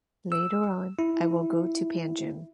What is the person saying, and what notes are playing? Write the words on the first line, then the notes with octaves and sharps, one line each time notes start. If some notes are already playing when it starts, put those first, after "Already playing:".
Later on I will go to Panjim.
E6
E4